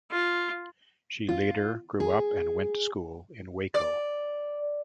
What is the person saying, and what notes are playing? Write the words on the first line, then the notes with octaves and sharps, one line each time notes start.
She later grew up and went to school in Waco.
F4
F4
G#4
D5